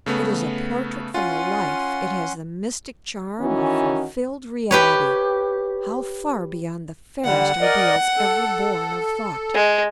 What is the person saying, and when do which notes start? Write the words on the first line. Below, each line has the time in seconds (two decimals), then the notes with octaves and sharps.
It is a portrait from the life--it has the mystic charm of fulfilled reality, how far beyond the fairest ideals ever born of thought!
0.06 C#3 A3 B3
1.14 C#4 F4 F#5 C6
3.41 D#3 E3 C#4 F#4
4.71 G4 B4 C#5
7.25 D3 G3 F#5
7.61 A#4 D5 D#5
8.17 A4
9.54 G#3